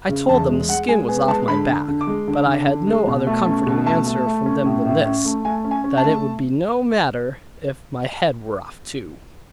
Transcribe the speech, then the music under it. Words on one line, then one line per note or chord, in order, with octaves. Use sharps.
I told them the skin was off my back, but I had no other comforting answer from them than this: that it would be no matter if my head were off too.
C#3
E2 A5
G#3
G#3 F#5
G#3 G#5
B3 G#5
G#3 A5
D3 B5
D3
D3
D6
G#3
D3
D3
D3
G#3
B2
A3
C#4
B2
A3 A5
A3
A3
C#4
A2
A2
C#4
A3
A3 G#5
C#4
G#5
C#4
A5
A3